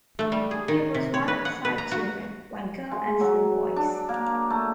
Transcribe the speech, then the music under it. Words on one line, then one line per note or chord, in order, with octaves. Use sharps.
He was one of five children, one girl and four boys.
A3
G3
G#4
D#3
C3
C#5
B4
F#5
B4
A#5
F#4
G#3
F#3
D4
A#3
A3